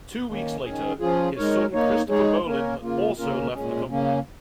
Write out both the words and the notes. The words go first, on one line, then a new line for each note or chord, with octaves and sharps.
Two weeks later, his son Christopher Bolin also left the company.
D#3 A#3 C#4
D#3 C#4 G#4
F3 C#4 F4 G#4
G#3 D#4 A#4 C#5
A#3 D#4 C#5
G#3 D#4 G#4 C#5
A#3 C#4 A#4 C#5
C#3 A#3 F4
C#3 A#3 C#4 F4 A#4
A#2 G#3 C#4
C#3 A#3 C#4